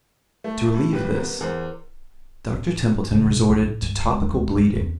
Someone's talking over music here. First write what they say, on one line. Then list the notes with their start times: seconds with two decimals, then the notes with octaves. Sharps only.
To relieve this, Dr. Templeton resorted to topical bleeding.
0.44 A3
0.74 A2
0.93 D#1 G4 B4
1.15 B3 A#4
1.41 E2 A#4 C5
2.53 A2
3.11 C#3
3.26 B2
3.49 D4
3.61 A2
3.82 G2
4.04 G#3
4.20 E2
4.33 D2
4.56 F2
4.75 E2